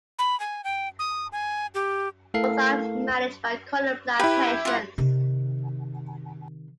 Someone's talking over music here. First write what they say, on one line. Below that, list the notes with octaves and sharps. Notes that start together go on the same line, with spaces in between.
Both are managed by Cornell Plantations.
B5
G#5
G5
D#6
G#5
G4
A3 E4 A4 A#4 F5 C7
E4 G4 B4
F4 F#5
C3 D#3